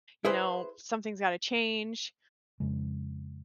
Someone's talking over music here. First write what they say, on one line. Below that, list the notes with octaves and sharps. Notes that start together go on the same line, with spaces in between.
you know, something's gotta change."
E4 G#4 B4 C5
F2 C#3 G#3